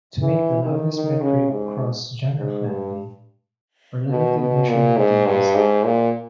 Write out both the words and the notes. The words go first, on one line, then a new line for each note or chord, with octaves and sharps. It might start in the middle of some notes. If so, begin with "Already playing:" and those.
To make the loudness metric cross-genre friendly, a relative measurement gate was added.
E3
D#3
D#3
C#3
G#2
G#2
G2
B2
B2
A#2
G#2
G2
G#2
A#2